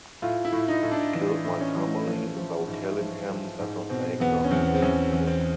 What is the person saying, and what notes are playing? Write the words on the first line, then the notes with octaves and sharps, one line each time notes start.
He killed my family, though killing him does not make her feel happier.
A2 F4
E4
A2
D#4
A2
D4
E3 D4
A2
C#4
E3
F3
F3
G#2
F3
F3
G#2
B2 C4
E2 B3
C#4
E2 C4
B3
C4
E2 C#4
E2
C4